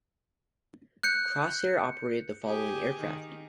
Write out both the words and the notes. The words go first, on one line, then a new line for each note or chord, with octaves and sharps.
Crossair operated the following aircraft.
F#6 G6 C#7
G4 G#4
D#3